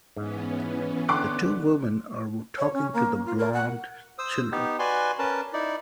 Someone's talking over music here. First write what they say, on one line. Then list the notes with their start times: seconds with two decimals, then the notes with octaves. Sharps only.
The two women are talking to the blond children.
0.17 G#2 E3 B3 C#4
1.09 D3 G5 C6 D6 F#6
2.58 C#5
2.74 C#4
2.94 A#3
3.25 F4
3.37 A#4
3.53 F#5
4.18 C5 D#6 E6
4.52 B3 D#4 G4
4.79 F#4 B4 D5 G#5 C6
5.19 C#4 A#4 B4 A5
5.53 D#4 E4 D5